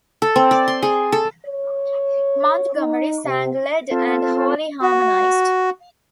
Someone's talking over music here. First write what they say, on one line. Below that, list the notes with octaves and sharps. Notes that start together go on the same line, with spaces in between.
Montgomery sang lead and Holly harmonized.
A4
C4
D5
C6
G#4
A4
C#5
D#4
C3
C4 F4 A4
F#4